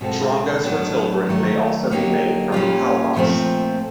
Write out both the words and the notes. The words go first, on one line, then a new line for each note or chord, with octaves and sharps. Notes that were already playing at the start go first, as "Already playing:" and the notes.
Charangos for children may also be made from calabash.
B2 G#3 C4 F4 A4
A2 F#3 B3 D4
D#3 F#3 A3
D3 F#3 A#3 D#4 G4
A#2 G3 A#3 C#4 F4
A#2 F3 A3 C4